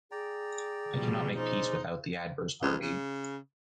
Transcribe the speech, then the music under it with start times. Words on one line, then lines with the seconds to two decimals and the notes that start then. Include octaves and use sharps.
I cannot make peace without the adverse party.
0.11 G#4 D5 G5 A#5
0.94 B2 F3 G3
1.38 G#3 C#4 D#4 C5 D5
2.62 C#2
2.82 C#3